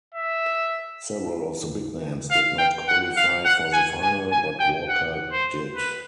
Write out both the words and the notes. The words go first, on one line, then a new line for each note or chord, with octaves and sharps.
Several of the big names did not qualify for the final, but Walker did.
E5
F5
G5
F#5
F5
F#5
G#5
G#5
G#5
G5
F#5
C5
B4